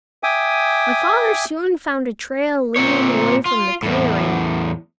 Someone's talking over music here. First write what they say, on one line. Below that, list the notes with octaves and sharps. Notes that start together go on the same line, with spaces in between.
My father soon found a trail leading away from the clearing.
E5 G5 G#5 D6 D#6
A#2 C4 C#5
F4
E2 A2